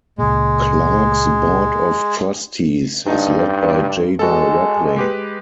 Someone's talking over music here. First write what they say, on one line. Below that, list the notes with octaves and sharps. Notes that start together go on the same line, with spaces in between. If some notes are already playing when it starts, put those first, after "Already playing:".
Clark's Board of Trustees is led by Jada Rupley.
C#2 A#2 G#3
G2 D4 D#4
G#3 F#4 A4
G#3 G4 B4